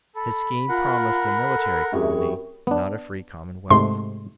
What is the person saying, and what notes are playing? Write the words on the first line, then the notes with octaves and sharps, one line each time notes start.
His scheme promised a military colony, not a free commonwealth.
A4 B5
F4 A#4 F#5
A4
F#2 C3 E4 G#4 C#6
B3 D4
G#2 C3 A3 C6